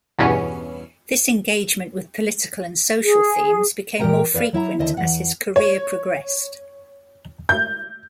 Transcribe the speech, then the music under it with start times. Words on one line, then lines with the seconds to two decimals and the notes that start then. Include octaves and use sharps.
This engagement with political and social themes became more frequent as his career progressed.
0.18 E2 G2 B2 E3 B3 C#4
3.03 G#4
3.99 A#2 E3 G4 A#4 G5 A#5
4.34 B4 D5 E5 F5
4.53 F#3 E4 E5 A#5
4.79 D#2 D3 D#5 E5 G#5 A5
4.97 E2 G2 F#5
5.56 C#5
7.49 G6